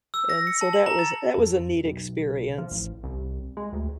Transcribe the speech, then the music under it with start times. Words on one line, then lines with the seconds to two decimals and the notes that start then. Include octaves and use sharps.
and so that was that was a neat experience.
0.14 E6
0.30 A#6
0.47 C#7
0.61 A5
0.73 F#7
0.86 A#5
0.99 A6
1.38 F2
1.85 B1
2.58 F3
2.71 A1
3.04 C2
3.57 G#3
3.73 D2